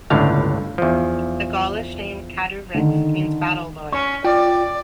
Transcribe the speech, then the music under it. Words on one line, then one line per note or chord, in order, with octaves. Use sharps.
The Gaulish name "catu-rix" means "battle-lord".
G1 C#2 A2 D3 F5
E2 F3
D3 D#3
C#4 C#6
F4 D5 G5